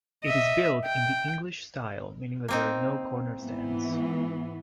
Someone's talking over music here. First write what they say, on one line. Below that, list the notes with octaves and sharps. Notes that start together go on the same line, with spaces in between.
It is built in the "English style", meaning that there are no corner stands.
D#5 E5
G5
A#3 C4 D#4
G#2 E3 B3